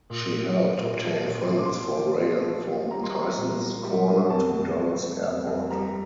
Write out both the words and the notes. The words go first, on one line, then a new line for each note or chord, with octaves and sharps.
She helped obtain funds for rail from Tysons Corner to Dulles Airport.
A#2
A#2
A#2
A#2
F3
A#2
A#2 C6
D6
C6
F3
F3
F3
F3
F3
G3 A#5
C6
G3 A#5
A#2
G3
G3
G3
F2 A5
F2
F2
F2
F2
F2
G3 A#5